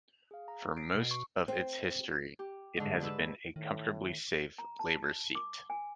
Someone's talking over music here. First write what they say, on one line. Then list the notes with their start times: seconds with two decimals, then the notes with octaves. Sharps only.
For most of its history, it has been a comfortably safe Labor seat.
0.31 G#4 F5
0.48 A#5
0.77 C7 D7
0.95 B2
1.11 C#6
1.48 C4
2.39 G4
2.77 G#2 D3
3.01 G#2 B4 E6
3.56 A2 D#3
4.58 A#5
4.79 A5
5.35 D6
5.70 G#5